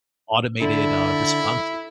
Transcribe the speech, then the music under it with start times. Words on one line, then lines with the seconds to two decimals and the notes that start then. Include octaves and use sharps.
automated, uh, responses,"
0.61 D3 E4